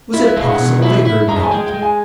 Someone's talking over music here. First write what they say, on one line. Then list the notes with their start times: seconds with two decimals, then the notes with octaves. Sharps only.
Was it possible they heard not?
0.13 E4 F4
0.25 B4
0.36 G#3 F5
0.48 F#5
0.60 B2
0.82 E4
1.05 E4
1.28 G#3 A#5
1.36 A5
1.44 G#5
1.51 G#3 G5
1.66 G5
1.74 G#3
1.82 G#5